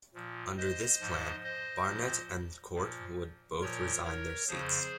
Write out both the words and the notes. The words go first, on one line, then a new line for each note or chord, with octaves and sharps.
Under this plan, Barnett and Court would both resign their seats.
A#2 F3
C5 D#5
G#2 F3
C5 D#5
A#2 F3
A#2 F3
A#2 F3 A#4 C#5
A#4 C#5
F2 C#3 F3 G#4 C5